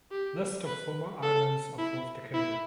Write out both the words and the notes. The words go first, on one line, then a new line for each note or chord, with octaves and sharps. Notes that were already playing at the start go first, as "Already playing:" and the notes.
List of former islands of North Dakota.
G4
B4
A4
E4
E4